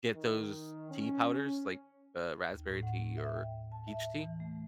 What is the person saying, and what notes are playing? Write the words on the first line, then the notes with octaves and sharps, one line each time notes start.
get those tea powders, like, uh, raspberry tea or peach tea,
D#3
C#4
D#2
A2
F#5
E5
G5
A5
E5
E3
A3